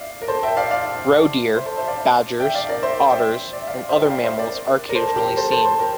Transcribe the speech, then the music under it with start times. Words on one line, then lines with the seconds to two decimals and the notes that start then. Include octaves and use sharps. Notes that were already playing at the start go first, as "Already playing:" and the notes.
Roe deer, badgers, otters and other mammals are occasionally seen.
Already playing: D5 E5 F5
0.22 A#4
0.28 A4 C5
0.43 E5 G5
0.57 D5 F5
0.71 D5 F5
1.55 C5 E5
1.66 A4 C5
1.77 C5 E5
1.87 D5 F5
2.40 E5 G5
2.54 D5 F5
2.69 A#4 D5
2.82 C5 E5
3.11 E5 G5
3.53 D5
3.60 E5
3.67 D5 F5
3.89 C5 E5
4.00 G5
4.10 D5 F5
4.24 C5 E5
4.38 A#4 D5
4.89 A#4
4.95 A4 C5
5.16 G4 A#4
5.37 A4 C5
5.52 A4 C5
5.65 A4 C5
5.80 G4 A#4